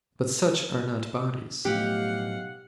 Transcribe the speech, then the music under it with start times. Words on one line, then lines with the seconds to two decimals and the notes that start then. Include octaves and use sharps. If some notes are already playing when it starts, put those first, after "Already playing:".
But such are not bodies.
1.65 B1 A2 F3 A3 G4 F5 F#5